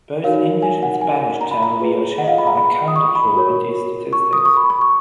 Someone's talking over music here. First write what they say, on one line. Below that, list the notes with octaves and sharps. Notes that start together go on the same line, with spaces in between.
Both English and Spanish channel viewership are accounted for in these statistics.
D#4 F#4 A#4 C#5 F5
G#5
F#5
G#5
A#5
B5
A#5
F4 G#4 B4
F#5
D#5
F5
B5
A#5
B5
D#6
C#6
B5
F#4 A#4 C#5
C#6
D#6
C#6
B5
C#6
C#6